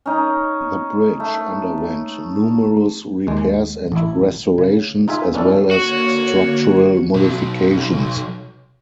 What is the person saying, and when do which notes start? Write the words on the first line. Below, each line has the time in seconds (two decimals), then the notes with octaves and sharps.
The bridge underwent numerous repairs and restorations, as well as structural modifications.
0.06 C#4 D#4
1.20 A3
3.27 D#2 G#3
3.92 A1 E4
4.58 C#3
5.08 D#4 F4 G#4 E5
5.34 B3 C#4 D4 E4 A4
5.71 D3 A#3 F#4 C#5
7.14 B1 F#3